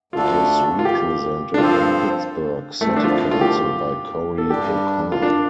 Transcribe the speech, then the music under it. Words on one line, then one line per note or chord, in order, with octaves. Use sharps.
It is represented on Pittsburgh City Council by Corey O'Connor.
D2 D3 A3 D4 F4 A4
F4
G4
D4
G2 F3 C4 F4 A4 C5
A3
C4
D4
D3 F3 A3 F4
F4
G4
A4
G2 G3 D4 G4
F4
D4